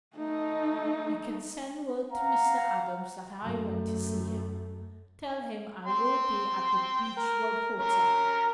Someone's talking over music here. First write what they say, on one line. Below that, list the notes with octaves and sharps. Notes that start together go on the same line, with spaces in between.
You can send word to Mr. Adams that I want to see him. Tell him I will be at the Beechwood Hotel.
A3 D#4
F5 F#5 A#5
F#2 A3
G5 C6
A#4
C#4 A#4